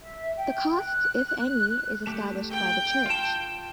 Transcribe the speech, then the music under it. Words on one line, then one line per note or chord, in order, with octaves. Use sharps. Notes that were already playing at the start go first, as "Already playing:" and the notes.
The cost, if any, is established by the church.
E5
G5
F#6
A3 G4
G5
F4 A5